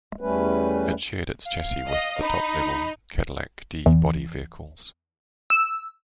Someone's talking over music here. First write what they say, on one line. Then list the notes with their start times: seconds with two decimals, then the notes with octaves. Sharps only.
It shared its chassis with the top-level Cadillac D body vehicles.
0.21 E2 G3 A3 C#4 B4
1.45 F5
1.89 D#5
2.22 D#4 B5
3.86 E2
5.50 E6